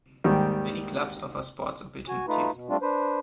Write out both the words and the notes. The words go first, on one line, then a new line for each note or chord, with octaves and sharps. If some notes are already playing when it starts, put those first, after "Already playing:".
Many clubs offer sports opportunities.
D#2 G#2 D#3 G3
F#4 G#5
A3 D#4 F4 B4
B2
G3 A3 C4 D4 F4
D4 B4 C5